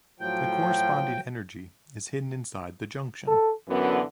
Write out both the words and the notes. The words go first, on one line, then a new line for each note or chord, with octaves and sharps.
The corresponding energy is hidden inside the junction.
A2 F3 F#3 G5
A4
F#2 D3 E3 B3